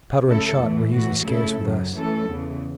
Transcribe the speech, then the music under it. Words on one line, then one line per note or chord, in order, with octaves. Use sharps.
Powder and shot were usually scarce with us.
C#3 A3 E4 A4
E2 E3 A3
A2 E3 A3 F#4
C#3 A3 E4 A4
F#2 C#3 F#3
E3 A3 C#4 A4
E2 C#3 E3